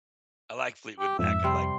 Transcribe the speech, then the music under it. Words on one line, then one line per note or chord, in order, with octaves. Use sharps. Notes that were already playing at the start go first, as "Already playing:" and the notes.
I like Fleetwood Mac, I like
G4
F2 G#2 E5
C3 G3 C6